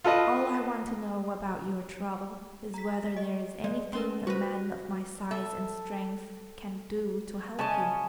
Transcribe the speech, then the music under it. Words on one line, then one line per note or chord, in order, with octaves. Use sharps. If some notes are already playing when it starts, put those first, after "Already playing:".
"All I want to know about your trouble is whether there is anything a man of my size and strength can do to help you."
F4 A4 B4 D#5
A#5 B6
D#5
G#3 D5
C#4 A#4 B4 C6
F#4 B4 C5 A#6
A4 E5
C#3 C#5 D#5 G#5 A5